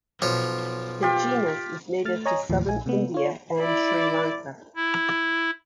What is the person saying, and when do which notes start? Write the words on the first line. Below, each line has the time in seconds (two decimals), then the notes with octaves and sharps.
The genus is native to southern India and Sri Lanka.
0.22 B1 F3 C#5
1.02 F4 G4
2.05 A3 F6 A6
2.26 C#5 D#5 G#5 A#5 D#6
2.50 D#2 A2 F3
2.67 A#1 G#5
2.86 C3 A3 B3
3.14 F4 C#5
3.59 E4 D5
4.75 E4